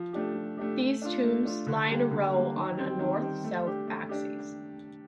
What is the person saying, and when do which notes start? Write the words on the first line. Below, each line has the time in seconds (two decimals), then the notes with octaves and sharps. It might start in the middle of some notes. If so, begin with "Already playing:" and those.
These tombs lie in a row on a north-south axis.
Already playing: F3
0.13 A3 D4 G4
0.35 F3
0.57 A3 D4 G4
0.79 A3
1.02 D4 F4
1.23 A3
1.45 D4 F4
1.67 D3
1.89 G3 A#3
2.11 D3
2.33 G3 A#3
2.55 D#3
2.77 G3 C4
2.99 D#3
3.22 G3 C4
3.44 A3
3.65 D4 G4
3.87 A3
4.09 D4 G4